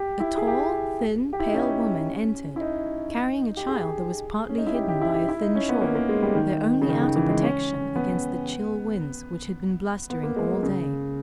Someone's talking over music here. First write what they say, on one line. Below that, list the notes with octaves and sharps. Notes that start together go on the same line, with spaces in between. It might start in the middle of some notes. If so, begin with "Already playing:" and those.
A tall, thin, pale woman entered, carrying a child that was partly hidden by a thin shawl, their only outer protection against the chill winds which had been blustering all day.
Already playing: G4
E4
G#4
G4
G4
E4
D#4
C#4
E4
D#4
G4
G#4
C#4
D#4
E4
G4
G4
E4
G4
E4
D#4
C#4
B3
A#3
A#3
G#3
G3
D#3
C#3
D#3
D#3
E3
G#3
C#4
B3
B3
A#3
G#3
C#3